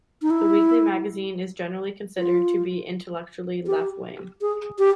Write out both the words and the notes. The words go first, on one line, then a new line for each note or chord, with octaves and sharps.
The weekly magazine is generally considered to be intellectually left-wing.
D#4
E4
F4
G4
G#4
G4